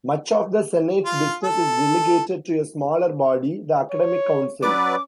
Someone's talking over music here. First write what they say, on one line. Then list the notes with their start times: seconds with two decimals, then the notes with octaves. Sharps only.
Much of the Senate's business is delegated to a smaller body, the Academic Council.
1.05 F4
1.43 A4
3.90 C#5
4.62 F#3 C#4 B4 D5 D6